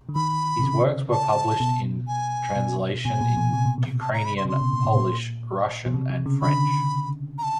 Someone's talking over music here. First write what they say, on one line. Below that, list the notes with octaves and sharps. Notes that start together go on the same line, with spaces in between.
His works were published in translation in Ukrainian, Polish, Russian and French.
D3
D#3 B5
C3
C#3
A5
B2
G#5
B2
B2 G#5
A#2
B2
C3
B2
C3
A5
A#5
B5
C6
C3
C#3 C6
B2
A#2
A2
B2
A#2
B2
C3
C3
C#3
D3 B5
A#5
A5